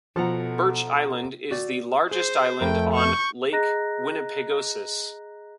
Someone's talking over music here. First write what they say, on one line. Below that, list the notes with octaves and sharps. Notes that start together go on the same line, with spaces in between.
Birch Island is the largest island on Lake Winnipegosis.
B2 F3 A4 F#5 A#5
F#4 D5
G#4 C5
F2 A3 A#4 G5 B5
C#6 G6
G#4 D#5 A#5 F#6 A#6